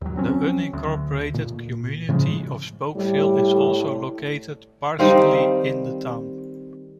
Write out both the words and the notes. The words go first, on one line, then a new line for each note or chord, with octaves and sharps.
The unincorporated community of Spokeville is also located partially in the town.
D#2 F#3
F#3 C4 C#4
D2
A#2
A2 C#3 F3 G#3
A2 G3
D#3 G3 C4 F5